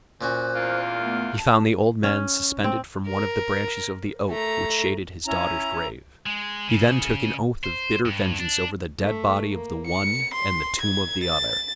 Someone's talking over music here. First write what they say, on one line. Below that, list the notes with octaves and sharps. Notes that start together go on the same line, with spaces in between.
He found the old man suspended from one of the branches of the oak which shaded his daughter's grave. He then took an oath of bitter vengeance over the dead body of the one and the tomb of the other.
A#2 C#4 F#4 C5 F#6
E2 A#3 F4
A3 B3
A5
C#4
C4
A#4
A3 A#5
C#4 E4 A#5
G#3
C#3
C5
G2
D4
A3
A#3
C#7
C6
G#6
A6